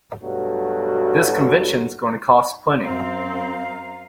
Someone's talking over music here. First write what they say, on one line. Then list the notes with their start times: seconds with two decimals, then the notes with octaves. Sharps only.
This convention's gonna cost plenty.
0.23 B1 G2 B2 F#3 A3 F#4
2.83 F#2 C4 F5 A#5